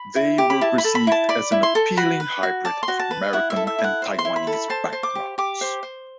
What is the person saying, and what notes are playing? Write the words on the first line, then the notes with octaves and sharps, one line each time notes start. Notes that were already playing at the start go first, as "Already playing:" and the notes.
They were perceived as an appealing hybrid of American and Taiwanese backgrounds.
Already playing: B5
E4
G4
B5
E4 A5
B5
A4
B5
E4 A5
D5 B5
E4
C6
A4
F#4 B5
B4
F#4
D5 A5
C6
F#4
A5
B4
E4 F#5
E5
A4
E5
E4
F#5
C5
C6
E4
B5
A4
B5
C5 A5
C5
D6
G4
G4 D6
C5
C5